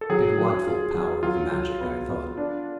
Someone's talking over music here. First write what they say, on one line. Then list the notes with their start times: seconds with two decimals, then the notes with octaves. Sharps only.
"Delightful power of magic!" I thought.
0.01 A4
0.10 F#3 G#4
0.38 F#3
0.66 F4
0.94 F#3
1.23 F#3 F4
1.52 F#3
1.80 B3
2.09 B3
2.37 D4